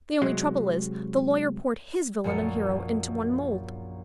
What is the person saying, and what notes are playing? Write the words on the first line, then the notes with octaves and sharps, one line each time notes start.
The only trouble is, the Lawyer poured his villain and hero into one mould.
C3 F#3 G#3
A#1 F#2 C#7